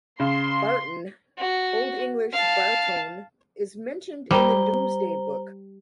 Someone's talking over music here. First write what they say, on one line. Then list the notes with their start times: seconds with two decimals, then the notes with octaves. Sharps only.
Barton, Old English "Bartone", is mentioned in the Domesday Book.
0.20 C#3 C6
1.38 F#4
2.33 F5 A5
4.31 G3 C5 A#5 G7